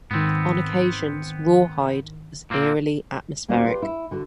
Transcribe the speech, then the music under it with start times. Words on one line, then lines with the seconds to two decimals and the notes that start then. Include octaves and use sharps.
On occasions, "Rawhide" was eerily atmospheric.
0.11 G#2 D#3 B3 C4
2.50 A#2 A#3 C4
3.48 D#2 A#3 C#4 F#4 C5
3.65 F4 G4 B4 D5
3.82 E4
4.11 D3 F#4 A4